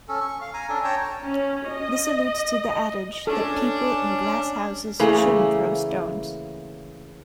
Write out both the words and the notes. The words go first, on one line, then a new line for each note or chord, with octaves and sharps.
This alludes to the adage that "people in glass houses shouldn't throw stones".
C#4 A4
C#6
F5
G#5 A#5
C#4 D4 A4
C#5 G5 A5 A#5
C#4
D#5
C#4 D4 A4
C#3 E3 A3 A#3